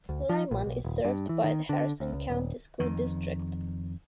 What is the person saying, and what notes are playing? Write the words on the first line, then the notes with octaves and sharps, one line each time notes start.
Lyman is served by the Harrison County School District.
D2
F3
A#1
B1
D#1
G2
E3
D#3
D3
D2
C#2
D#1
F2 D#3